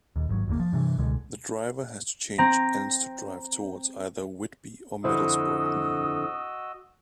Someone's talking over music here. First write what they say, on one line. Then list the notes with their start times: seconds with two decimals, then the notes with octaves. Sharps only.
The driver has to change ends to drive towards either Whitby or Middlesbrough.
0.16 D#1 D#2
0.29 G#1 F#3
0.48 F#1 D2 A#3
0.59 F3
0.73 G2 C3 E3
0.98 C#2 B2 D3 G#3
2.38 C4 A#5
5.04 F2 D3 E4 F#4 C5 D#5 D#6 E6